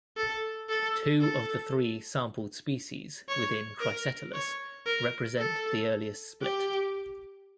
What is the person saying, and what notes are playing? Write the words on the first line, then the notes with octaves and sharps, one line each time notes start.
Two of the three sampled species within "Cricetulus" represent the earliest split.
A4
A4
A4
C#5
A#4
C#5
A#4
A4
G4